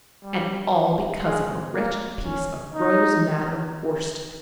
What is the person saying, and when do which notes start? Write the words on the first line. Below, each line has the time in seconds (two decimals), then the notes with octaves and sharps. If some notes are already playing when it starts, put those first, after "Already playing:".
And all because of a wretched piece of rose-madder worsted. . . .
0.23 G3
1.23 G#3
1.73 A#3
2.24 C#4
2.74 D#4